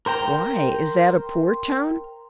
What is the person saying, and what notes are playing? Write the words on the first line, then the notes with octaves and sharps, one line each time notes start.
"Why, is that a poor town?"
A#4 C5 G5 A#5